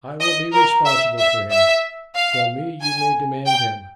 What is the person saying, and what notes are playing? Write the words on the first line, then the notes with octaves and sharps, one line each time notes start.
I will be responsible for him; from me you may demand him.
D#5
A#4
E5
E5
E5
F5
G#5
G5